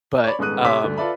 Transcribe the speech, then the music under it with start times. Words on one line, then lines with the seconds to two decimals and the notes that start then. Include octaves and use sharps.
but, um,
0.24 C#5 D5 B5
0.39 D#1 G#2 B3 D#6 F#6 D#7
0.65 C3 C#5 C6 D6 B6
0.84 D2 D3
0.97 F4 A4 B4 D5 E5 B5